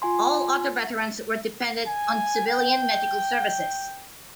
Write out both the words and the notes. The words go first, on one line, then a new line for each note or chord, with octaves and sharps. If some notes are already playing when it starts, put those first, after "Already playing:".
All other veterans were dependent on civilian medical services.
F4 G#5 C6
G#5
G5